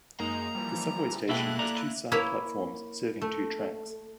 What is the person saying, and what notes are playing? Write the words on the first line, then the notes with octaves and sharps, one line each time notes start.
The subway station has two side platforms serving two tracks.
F#2 G#3 A#3 D#4 A#5
E3 F3 G3
B2 G#3 A#3 E4 A4 E5 G5 F#6
A4 D5 A#5
A#3 E4 C#5 B5
A3